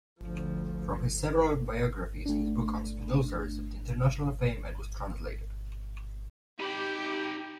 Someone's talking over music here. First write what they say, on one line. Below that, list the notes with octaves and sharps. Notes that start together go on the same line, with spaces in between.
From his several biographies, his book on Spinoza received international fame, and was translated.
D2 F3
A3 D4
D#4 G4 B5